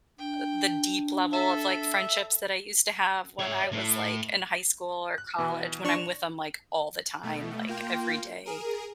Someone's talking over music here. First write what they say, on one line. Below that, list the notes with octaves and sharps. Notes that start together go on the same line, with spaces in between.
uh, the deep level of, like, friendships that I used to have when I was, like, in high school or college when I'm with 'em, like, all the time, like, every day.
D4 G5
A4 E5
C#5 E5
A2
F#6
B2 E3
D4 C#6
B2 A3
A#3 F4 G5
G#4 A#4 D#7